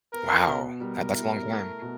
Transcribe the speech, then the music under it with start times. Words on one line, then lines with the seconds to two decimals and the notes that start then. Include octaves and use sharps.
Wow. That that's a long time.
0.13 B3 A#4
0.46 B2
0.81 G3 A#4
1.14 E4
1.48 A3
1.82 B2